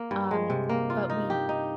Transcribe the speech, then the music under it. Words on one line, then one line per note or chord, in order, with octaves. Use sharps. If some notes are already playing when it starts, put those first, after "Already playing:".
um, but we
Already playing: A#3
G2
G#3
C3
A#3
F4
D#4
G4
D#4